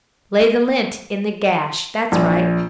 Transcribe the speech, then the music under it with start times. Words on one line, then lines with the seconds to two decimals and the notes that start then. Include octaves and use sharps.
Lay the lint in the gash. That's right.
2.12 A#1